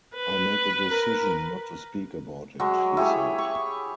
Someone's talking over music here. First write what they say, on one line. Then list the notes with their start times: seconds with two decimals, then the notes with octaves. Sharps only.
"I made a decision not to speak about it," he said.
0.15 B4
0.90 A#4
2.60 F#3 G#3
2.97 E4 G4 G#4 C#5
3.38 C#6